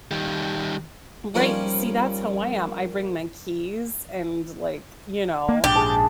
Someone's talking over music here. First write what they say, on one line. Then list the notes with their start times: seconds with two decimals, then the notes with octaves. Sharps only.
Right, see, that's how I am, I bring my keys and, like, you know,
0.11 D#3 G3
1.34 F3 G3 A#3 C#4 D#4
5.49 A#3
5.64 A#1 G#2 D4 G4
5.76 G#4 A5